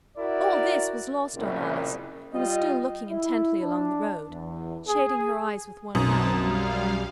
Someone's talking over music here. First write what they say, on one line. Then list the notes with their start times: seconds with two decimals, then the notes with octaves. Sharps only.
All this was lost on Alice, who was still looking intently along the road, shading her eyes with one hand.
0.18 E4 F#4 A#4 D5
1.35 F#1 C2 A#2 C#3
2.33 G3 F4 D#5
3.09 E4
3.62 D4
4.31 E2
4.88 G#4
5.95 B1 F#2 B2 C4 A5 D#6
6.39 G3 F5